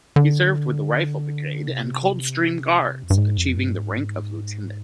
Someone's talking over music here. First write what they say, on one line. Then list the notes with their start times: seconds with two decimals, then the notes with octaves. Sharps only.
He served with the Rifle Brigade and Coldstream Guards, achieving the rank of lieutenant.
0.16 D3
1.68 C3
3.03 F2
3.10 G2
3.18 G#2
3.37 F2
3.57 G2
3.75 G#2